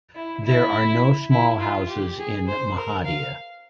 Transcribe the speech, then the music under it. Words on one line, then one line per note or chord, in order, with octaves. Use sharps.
There are no small houses in Mehadia.
E4
E4
E4
F4
G4
G#4
C5
A#4
F5